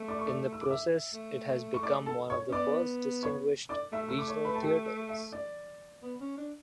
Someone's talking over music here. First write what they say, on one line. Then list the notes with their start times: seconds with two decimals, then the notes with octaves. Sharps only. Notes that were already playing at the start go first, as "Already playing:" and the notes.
In the process it has become one of the first distinguished regional theatres.
Already playing: A3
0.08 D5 D6
0.19 C#6
0.26 D5 D6
0.53 E6
0.61 D6
0.70 E5 E6
1.14 A3
1.74 C#6
1.83 D5 D6
2.06 A4 A5
2.30 C#5 C#6
2.48 C#4
2.52 B3 D5 D6
3.23 C#5 C#6
3.69 D5 D6
3.93 A3 E5 E6
4.09 E6
4.19 D6
4.27 C#5 C#6
4.45 B4 B5
4.55 A5
4.62 G4 G5
5.09 E5
5.32 D5
6.02 B3
6.20 C#4
6.37 D4